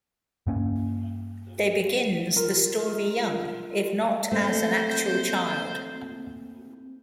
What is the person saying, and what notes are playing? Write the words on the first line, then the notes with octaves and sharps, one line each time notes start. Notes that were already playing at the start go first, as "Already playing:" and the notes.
They begins the story young, if not as an actual child.
G2 A#3 C#4
F4 A#4
A3 A#3 C4 C5